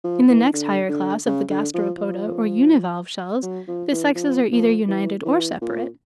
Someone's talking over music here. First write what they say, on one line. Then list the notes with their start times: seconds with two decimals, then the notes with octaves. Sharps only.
In the next higher class of the Gasteropoda, or univalve shells, the sexes are either united or separate.
0.04 F3
0.29 E3
0.53 D3
0.89 D3
1.26 C#3
1.50 D3
1.74 F3
1.98 F3
3.43 F#3
3.68 F3
3.92 E3
4.15 F3
4.52 F3
4.88 E3
5.25 E3
5.61 A#2